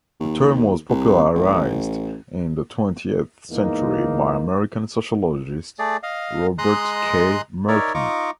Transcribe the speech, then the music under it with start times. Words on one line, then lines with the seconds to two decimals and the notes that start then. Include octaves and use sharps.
The term was popularised in the twentieth century by American sociologist Robert K. Merton.
0.20 D#2
0.89 C2
1.35 A1
3.51 E2 G#2 A#3 D#4
5.79 A3 G#4 D5
6.03 D#5 F5
6.58 G#3 D#5 A#5 C6 D#6 F#6
7.68 D#4 A#4 C#5 D5 E5
7.94 D#4 F4 D#5 C#6 D6